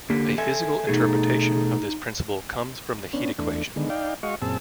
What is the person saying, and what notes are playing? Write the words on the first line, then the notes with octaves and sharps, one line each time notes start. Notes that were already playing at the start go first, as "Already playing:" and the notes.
A physical interpretation of this principle comes from the heat equation.
D3 A#3 G4
A4 E5 G#5
B2 A3 D#4 G#4
B3 C#4 D4
E2 A3 D4
D3 D#3 G#3 B3
D#4 D5 F5 G5
G#3 F#4 D#5 F5 C#6
F#2 A#2 C4 G#4 A5 E6